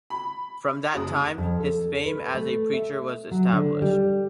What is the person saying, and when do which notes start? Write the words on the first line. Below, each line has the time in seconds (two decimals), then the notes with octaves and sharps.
From that time his fame as a preacher was established.
0.10 B5
0.94 F#1 F#2 G#3 D#6
1.38 F2
1.60 A4
2.06 B4
2.34 A3
2.74 E5
3.31 F#3
3.53 D3
3.82 G3